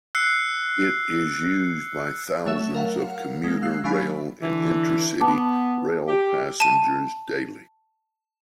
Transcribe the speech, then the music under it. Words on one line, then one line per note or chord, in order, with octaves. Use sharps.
It is used by thousands of commuter rail and intercity rail passengers daily.
E6 F#6 C7 C#7
F#3 A3 C#5 E5 E7
A#4 F5 F#5
G#3 A#3
F5 E6 F#6 C7
F#3 D4 F5 G#5 B5 B6
D3 E3
B3 A5 D6
G4
A5 D#7